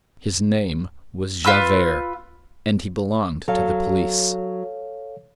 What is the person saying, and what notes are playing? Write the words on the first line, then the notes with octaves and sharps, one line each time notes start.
His name was Javert, and he belonged to the police.
F4 B4 E6
F#3 A4 C#5 F5